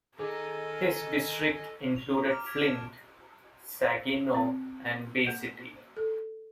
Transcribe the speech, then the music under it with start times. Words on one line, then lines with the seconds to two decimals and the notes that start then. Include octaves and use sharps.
His district included Flint, Saginaw and Bay City.
0.19 D#3 G#4 A4 D#5 G#5
1.96 F7
2.08 A#5
2.28 D6 F6
2.46 G#6 B6 D7 F7
2.66 A5
3.82 C5
4.34 C4
5.27 A#3
5.97 A4